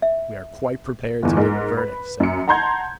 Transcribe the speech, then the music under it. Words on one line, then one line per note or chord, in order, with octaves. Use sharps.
"And we are quite prepared to give a verdict," said one.
E5
G1 E2
G#2 G#3 A#4
B4
F#2 C#7
F#5 A5 A#5 C6 G6 G#6